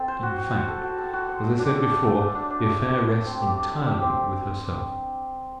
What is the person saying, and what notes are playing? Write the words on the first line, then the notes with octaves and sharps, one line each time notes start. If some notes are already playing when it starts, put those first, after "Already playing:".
In fact as I said before, the affair rests entirely with herself.
Already playing: C4 A4
C5
F#4
F#4
C5
A4
F#4
A4
F#4
C5
A3
D4
A4
A3
A3
A3
D4
D4
A3
A3
A3
A4
C4
G4
A3
A3
G4
C4